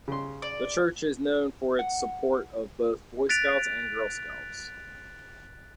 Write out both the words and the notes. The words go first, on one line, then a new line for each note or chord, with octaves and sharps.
The church is known for it support of both Boy Scouts and Girls Scouts.
C#3 C6
D5
F#5
F#6 A6 B6 D7 F7